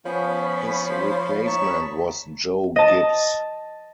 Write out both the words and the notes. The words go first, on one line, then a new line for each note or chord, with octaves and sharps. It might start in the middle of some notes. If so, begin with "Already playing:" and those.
His replacement was Joe Gibbs.
F3 B3 C#4 C#5 B5
C5
D#4 A5 C#6
D#5 A5